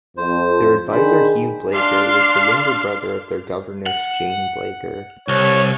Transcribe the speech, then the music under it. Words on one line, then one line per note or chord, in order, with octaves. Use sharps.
Their advisor Hugh Blaker was the younger brother of their governess Jane Blaker.
F2 C5
D#3 D4 G#4 C5 B5
D4 F5 C6
F#5
C2 C#5